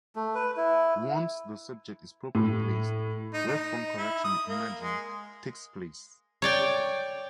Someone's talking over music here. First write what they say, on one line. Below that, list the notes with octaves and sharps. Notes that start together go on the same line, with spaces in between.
Once the subject is properly placed, wavefront correction and imaging takes place.
A3
B4
E4
A2
D#4
D#4
E4
D#6
A#3
G#3
C#5 D5 G5